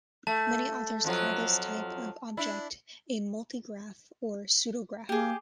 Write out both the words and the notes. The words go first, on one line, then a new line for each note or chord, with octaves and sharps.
Many authors call this type of object a multigraph or pseudograph.
A3 A5
F2 F3 F#3
D4 E4
A#3 G4 G#4